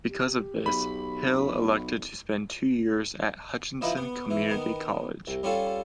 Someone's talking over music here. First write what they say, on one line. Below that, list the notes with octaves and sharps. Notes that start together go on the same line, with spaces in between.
Because of this, Hill elected to spend two years at Hutchinson Community College.
G4
B1 B5
F3 D#4 E4 B4 D5
B3
E3
D#3 B3
C2
G3 C#4 F4 A4